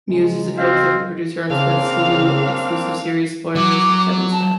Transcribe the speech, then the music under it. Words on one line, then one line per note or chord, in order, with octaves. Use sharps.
Mewes is co-Executive Producer on Smith's Hulu-exclusive series "Spoilers with Kevin Smith".
C#3 F#3 G#3
C#3 C4 F#4 D#5 F5
C#3 A#3 C4 D4 F5
F#3 D6
A5